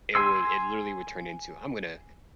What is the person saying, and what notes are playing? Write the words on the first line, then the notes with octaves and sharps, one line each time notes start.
it would it, literally, would turn into "I'm gonna
G#5 C6 E6